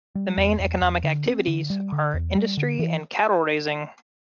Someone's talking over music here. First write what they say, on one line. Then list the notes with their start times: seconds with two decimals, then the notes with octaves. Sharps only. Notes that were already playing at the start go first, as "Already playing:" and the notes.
The main economic activities are industry and cattle raising.
0.15 G3
0.37 E2
0.60 E2
0.81 E2
1.04 D3
1.26 C4
1.47 D3
1.70 G3
1.92 D3
2.14 E2
2.35 G3
2.57 D3
2.79 E3